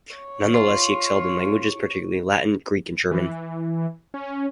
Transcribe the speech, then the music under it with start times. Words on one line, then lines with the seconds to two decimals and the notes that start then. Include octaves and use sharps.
Nonetheless, he excelled in languages, particularly Latin, Greek and German.
0.15 C#5
0.54 F4
3.11 E3
4.14 C#4